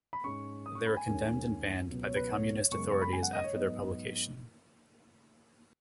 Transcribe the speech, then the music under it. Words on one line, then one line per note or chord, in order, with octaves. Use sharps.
They were condemned and banned by the Communist authorities after their publication.
B5
G#2 G#3 C#4 C#6
D#6
C#6
B5
G#5
D#2 D#3 G#3 C#4
C#2 B2 F#3 B3
C#5
B4
C#5
F#2 C#3 G#3 B3 C#6
C#6
B5
G#5
F#5
D#5
C#5
G#2 F#3 B3 D#5